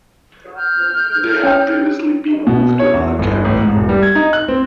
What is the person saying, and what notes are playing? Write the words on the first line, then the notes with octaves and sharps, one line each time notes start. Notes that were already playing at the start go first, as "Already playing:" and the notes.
They had previously been moved to another camp.
F6 G6
C#4 C#5 G5
B2
C#5
E2
G1
A1
G#2
E1
G3
G#6
D#4
F#6
C4